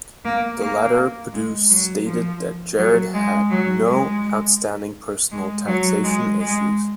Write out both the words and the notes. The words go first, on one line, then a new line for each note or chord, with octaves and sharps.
The letter produced stated that Gerard had no outstanding personal taxation issues.
A#3
A#3
G#3
F#3
F3
F#3
G#3
F#3
G#3
G#3
F#3
G#3
G#3